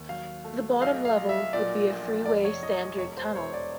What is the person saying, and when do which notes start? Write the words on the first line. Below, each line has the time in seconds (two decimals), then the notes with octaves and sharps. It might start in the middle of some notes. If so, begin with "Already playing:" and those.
The bottom level would be a freeway standard tunnel.
Already playing: D#2
0.09 F#3 F5
0.44 A3
0.81 B1 F5
1.05 F5
1.17 B1
1.29 E5
1.53 A#2 D5
1.90 A#1
2.26 F1 D5
2.45 C#5
2.63 F1 D#5
2.81 C#5
2.98 E1 C#5
3.17 C5
3.35 E1 C#5
3.54 D5